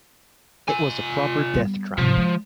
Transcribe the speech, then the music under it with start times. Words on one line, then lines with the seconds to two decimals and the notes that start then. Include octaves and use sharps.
It was a proper death trap.
0.68 F4 G#5
1.54 G3 B3
1.98 G#2 C3 F3
2.17 G#3